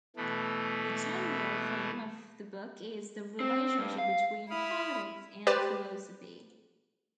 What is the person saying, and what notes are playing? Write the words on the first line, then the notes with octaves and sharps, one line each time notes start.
The general theme of the book is the relationship between politics and philosophy.
B2 E3 A3
C4
G2
F5
E4 B5 D#6 F6
G4 B4 C5 D5